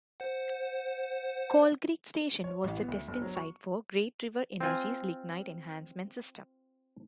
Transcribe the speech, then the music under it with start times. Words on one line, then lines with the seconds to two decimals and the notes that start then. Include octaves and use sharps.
Coal Creek Station was the testing site for Great River Energy's Lignite Enhancement System.
0.20 C5 F#5
2.44 C#5
2.64 A1
2.77 B3
2.88 D2
3.08 G1
3.21 F#3
3.35 C#6
4.60 C4 F4 G#5